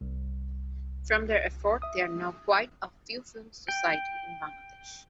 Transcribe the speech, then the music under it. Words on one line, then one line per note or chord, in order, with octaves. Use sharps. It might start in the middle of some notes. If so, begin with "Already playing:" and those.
From their effort, there are now quite a few film society in Bangladesh.
C2
E5 D#6
G5